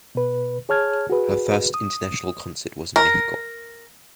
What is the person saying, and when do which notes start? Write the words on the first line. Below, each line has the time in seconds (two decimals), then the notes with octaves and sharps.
Her first international concert was in Mexico.
0.15 B2 B4
0.69 G#4 C#5 A5 F6 G#6
1.10 F#4 G#4 B4
1.74 D#6
2.96 A#4